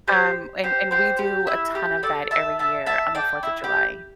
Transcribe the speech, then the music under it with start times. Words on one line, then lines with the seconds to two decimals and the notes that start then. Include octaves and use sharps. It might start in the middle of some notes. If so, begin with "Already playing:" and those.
Um, and and we do a ton of that every year on the Fourth of July.
0.08 G4 C5
0.64 G4 C5
0.91 G4 C5
1.19 G4
1.47 E4
1.75 G4
2.03 A4 D5
2.31 E5 A5
2.59 E5 A5
2.86 E5 A5
3.15 D5 G5
3.43 E4
3.64 G4